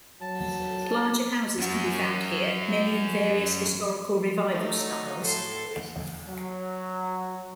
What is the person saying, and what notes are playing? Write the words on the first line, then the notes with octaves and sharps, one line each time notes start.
Larger houses can be found here, many in various historical revival styles.
F#3 A5
F#2 F#4
F#3 A3 D#4
A2 A4 C6
F#3